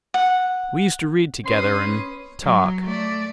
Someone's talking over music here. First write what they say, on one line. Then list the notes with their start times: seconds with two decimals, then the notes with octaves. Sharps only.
We used to read together and... talk.
0.14 F#5
1.46 C#4 B4 C6 D#6
2.42 F#3
2.84 A3 D5